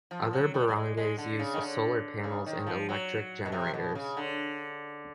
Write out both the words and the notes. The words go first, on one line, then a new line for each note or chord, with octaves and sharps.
Other barangays use solar panels and electric generators.
F3
F#3
G3
G3
G#3
G#3
D3
C#3
D#3
D3
C#3
D#3
F3
F#3
B2
C3
B2
C#3
D3